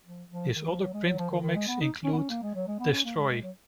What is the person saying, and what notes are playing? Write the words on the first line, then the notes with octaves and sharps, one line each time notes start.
His other print comics include Destroy!!
F3
F3
D#3
F3
F#3
G#3
F#3
F3
D#3
D#3
G#3
B3
D#4
C#4
B3
C#4
A#3
G#3
F#3
G#3
B3
C#4
A#3
G#3
G#3
F#3